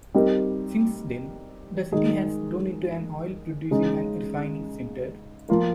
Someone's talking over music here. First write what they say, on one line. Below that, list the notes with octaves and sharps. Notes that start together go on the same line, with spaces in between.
Since then, the city has grown into an oil-producing and refining center.
G3 C4 D#4 G4 A#4
D#3 G#3 D#4 G#4
C#3 G#3 D#4
F3 A#3 F4 A#4